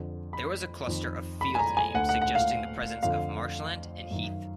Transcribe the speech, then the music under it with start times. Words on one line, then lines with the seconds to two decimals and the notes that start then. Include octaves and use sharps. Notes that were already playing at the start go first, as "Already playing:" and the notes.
There was a cluster of field names suggesting the presence of marshland and heath.
Already playing: F2 D3
0.33 B5
0.87 F2 D#3
1.41 B5
1.55 G#5
1.59 A#5
1.77 G#5
1.95 D2 D3 F#5
2.09 F#5
2.22 F#5
2.35 F5
3.03 F2 D3 F5
4.11 F#2 D#3